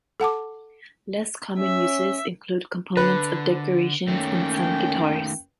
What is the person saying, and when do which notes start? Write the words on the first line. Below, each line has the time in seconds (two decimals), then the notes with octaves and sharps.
Less common uses include components of decorations and some guitars.
0.20 A4 F#5 A5 D6
1.58 C#4 E5
2.97 D3 B4
4.08 D#3 A3 A#3 C#4 G5